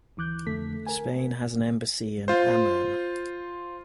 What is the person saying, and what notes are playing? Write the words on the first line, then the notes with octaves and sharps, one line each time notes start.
Spain has an embassy in Amman.
D2 E3 D6 F#6 G6
F2 D3 A3 A4 B6
A#4 G#5
F4 C5